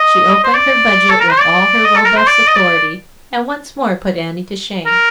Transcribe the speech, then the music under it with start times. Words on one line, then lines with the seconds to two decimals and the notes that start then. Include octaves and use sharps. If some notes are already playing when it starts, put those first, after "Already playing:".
She opened her budget with all her robust authority, and once more put Annie to shame.
Already playing: D#5
0.44 C5
0.55 D5
1.10 A4
1.20 A#4
1.31 C5
1.40 D5
1.84 D#5
1.96 A4
2.06 A#4
2.16 C5
2.28 D5
2.47 D#5
2.56 D5
4.86 A#4